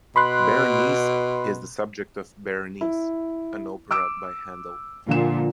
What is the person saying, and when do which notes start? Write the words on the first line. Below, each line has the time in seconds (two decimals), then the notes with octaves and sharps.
Berenice is the subject of "Berenice", an opera by Handel.
0.16 B2 B5 C6 F#6
2.81 E4
3.91 D6 E6 D7
5.09 A#2 D3 F3 E7